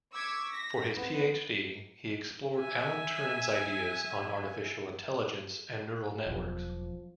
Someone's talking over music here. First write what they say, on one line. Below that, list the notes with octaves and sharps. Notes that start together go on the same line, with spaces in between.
For his PhD, he explored Alan Turing's ideas on artificial intelligence and neural networks.
C#6 D6 E6 G#6 B6
A#6 B6
B3 C4 B4
E5 G#5
E1 B1 F3